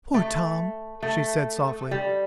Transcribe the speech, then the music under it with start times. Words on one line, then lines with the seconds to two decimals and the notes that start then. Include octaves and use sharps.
"Poor Tom!" she said softly.
0.14 A3
1.03 A3
1.91 G3